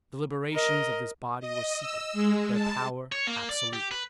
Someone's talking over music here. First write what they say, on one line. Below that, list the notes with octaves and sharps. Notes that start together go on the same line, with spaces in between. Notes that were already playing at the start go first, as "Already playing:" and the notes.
The deliberations of this body were secret, their power absolute.
A#4 D#5
D#5
E6
G#3
A5
C#5
A#3
D5
G4
B4